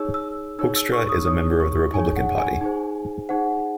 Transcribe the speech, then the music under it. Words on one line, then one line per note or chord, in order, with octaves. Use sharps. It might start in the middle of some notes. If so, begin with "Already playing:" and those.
Hoekstra is a member of the Republican Party.
Already playing: D#4 G#4 C#5 E6
E6
D#4 G#4 C#5 E6
E6
C#6
D#6
D#4 G#4 C#5 D#6
C#6
D#4 G#4 C#5 G#5
F#5
G#5
D#4 G#4 C5
D#4 G#4 C5 F#5